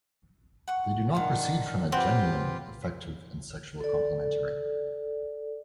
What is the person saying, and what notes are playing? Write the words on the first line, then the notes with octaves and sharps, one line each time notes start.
They do not proceed from a genuine effective and sexual complementary.
F#5 C#6
D#3 D4 F5 F#5
C4 F4 G4 B4 F#5 D6
A4 D5